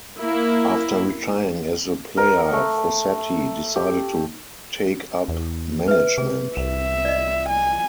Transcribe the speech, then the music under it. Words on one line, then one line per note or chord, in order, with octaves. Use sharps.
After retiring as a player, Fossati decided to take up management.
A#3 E4
A#4
A3
G4
E2
B4 E5
C3 G#4
C2 E5
D5 D#5
G#5